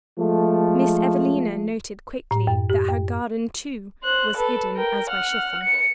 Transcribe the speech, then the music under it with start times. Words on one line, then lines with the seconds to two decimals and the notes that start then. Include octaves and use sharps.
Miss Evelina noted quickly that her garden, too, was hidden as by chiffon.
0.18 F3 G#3 A3
2.31 A2
2.47 F#2
2.70 G4
2.89 F#2
4.03 C5 F#6
4.36 A4 B4
4.76 A#4 G5
5.10 F#5 F6
5.64 C#7